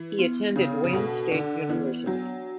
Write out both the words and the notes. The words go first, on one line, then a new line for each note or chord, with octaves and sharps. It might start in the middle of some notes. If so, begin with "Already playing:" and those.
He attended Wayne State University.
Already playing: E3
B3
C#3 D4
C#3
B2 A4
D3 D5
E3 B3
F#3 D4